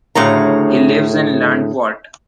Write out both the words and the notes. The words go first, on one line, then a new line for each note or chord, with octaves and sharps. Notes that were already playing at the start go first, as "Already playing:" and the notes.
He lives in Landquart.
D2 A2 C#3 A#5